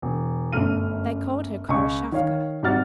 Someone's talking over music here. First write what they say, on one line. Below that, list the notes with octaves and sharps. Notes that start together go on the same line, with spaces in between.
They called her Khoroshavka.
E1
G1 F#2 A3 F6 D#7
C#2 C#6
D#3 C#5 F5
G#1 G3 F#4 F6 A6